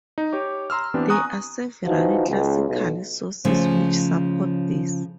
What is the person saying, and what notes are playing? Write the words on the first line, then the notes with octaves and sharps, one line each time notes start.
There are several classical sources which support this.
D#4
G4 C#5 D6
A#5 C6 E6 F6
E3 B3 C4 D4 G4
G#5 A#5 C#6 D#6 F#6
E3 F3 D#4 F#4
C#2
B1
C#3 F3 A3